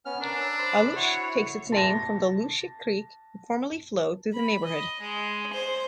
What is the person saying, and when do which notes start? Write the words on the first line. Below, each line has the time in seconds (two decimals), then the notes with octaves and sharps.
Aluche takes its name from the Luche creek that formerly flowed through the neighbourhood.
0.05 B3 C#4 F6
0.20 D4 A#4
0.41 E6
0.58 C5 B5
0.96 E4 F#4 C#5
1.72 A5 A#6
4.33 B5
4.65 D#5
5.00 G#3
5.53 C5